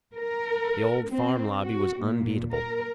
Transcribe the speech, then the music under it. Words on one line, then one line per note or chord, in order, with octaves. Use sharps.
The old Farm Lobby was unbeatable.
A#4
C4
F#4
A#2
A#4